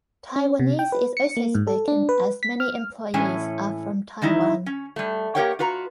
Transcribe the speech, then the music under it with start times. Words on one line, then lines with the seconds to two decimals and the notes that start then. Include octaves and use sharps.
Taiwanese is also spoken as many employees are from Taiwan.
0.36 C#4
0.60 C3
0.79 G5
0.92 B4
1.17 C#7
1.37 A#3
1.55 G#2
1.67 A4
1.88 D4
2.09 B4
2.43 B6
2.60 F6
3.14 A2 E3 C#4 G#5
4.22 D#3 E3 D#4 E4
4.66 C#4
4.96 G3 A3
5.35 A#3 G4 A#4 C#5 F#5 G5
5.59 F4 F#4 B4 A#5